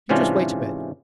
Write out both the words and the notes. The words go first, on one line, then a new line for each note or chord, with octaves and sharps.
You just wait a bit.
G#2 C3 E3 C#4 D4 F4